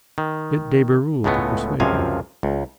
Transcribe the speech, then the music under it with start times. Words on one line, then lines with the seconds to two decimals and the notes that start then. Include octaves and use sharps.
Get de Berulle to persuade him.
0.18 D#3
1.24 C#2 A2 G#3 A3 B3
1.80 C#2 F#2 C3 F3 F5 G#5
2.43 C#2